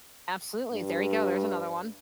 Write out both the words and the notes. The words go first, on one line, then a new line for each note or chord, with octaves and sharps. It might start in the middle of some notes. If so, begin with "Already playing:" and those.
absolutely, there you go. There's another one,
G2